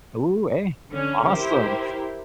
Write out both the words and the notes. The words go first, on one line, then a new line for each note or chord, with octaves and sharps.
Ooh, hey. Awesome.
D3 C#4
E4 G4 A#4 C5